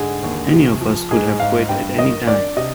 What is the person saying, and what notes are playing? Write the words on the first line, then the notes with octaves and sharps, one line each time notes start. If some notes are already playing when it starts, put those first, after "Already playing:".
Any of us could have quit at any time.
Already playing: G#2 D3 G#4
D#2
C3
F3
G#2 G#4
G#2 F5
G2 G5
D#3 D#5
D4 D5
C3 D#5